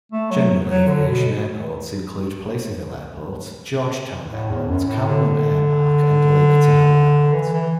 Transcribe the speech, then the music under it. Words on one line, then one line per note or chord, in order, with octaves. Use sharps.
General aviation airports include Placerville Airport, Georgetown Airport, Cameron Airpark and Lake Tahoe Airport.
A3
F#3
F#3
D3
B2
A2
E2
F#2
A2
D3
E3
E3